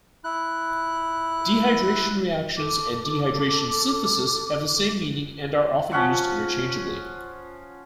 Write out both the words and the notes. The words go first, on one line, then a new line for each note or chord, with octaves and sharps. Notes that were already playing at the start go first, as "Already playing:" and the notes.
Dehydration reactions and dehydration synthesis have the same meaning, and are often used interchangeably.
E4 F#6
A4 D6
F3 C#4 F#5 C#6